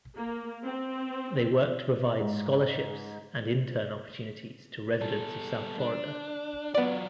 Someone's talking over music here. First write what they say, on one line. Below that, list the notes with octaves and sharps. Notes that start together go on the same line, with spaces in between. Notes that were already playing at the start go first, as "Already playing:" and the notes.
They work to provide scholarships and intern opportunities to residents of South Florida.
A#3
C4
G#2
G3 A4
D4
F#3 B3 F4 D5